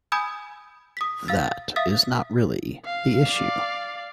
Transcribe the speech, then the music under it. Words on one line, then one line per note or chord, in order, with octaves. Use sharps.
That is not really the issue.
G#5 B5 D#6 E6 G6 G#6
D#6 B6
F5 E6 A6
E5 F5 D#6 E6 A6 B6
F5
D5 F5